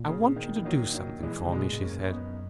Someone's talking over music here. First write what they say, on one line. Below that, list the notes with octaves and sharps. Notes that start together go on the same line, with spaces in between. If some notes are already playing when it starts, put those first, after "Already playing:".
"I want you to do something for me," she said.
Already playing: A#2
C#3
D#3
E3
D#3 F#3
D#3 F#3
E3 G#3
C#3
B2 G#3 B3
A#2
G#2
F#2 A#3 C#4
C#4
B3 D#4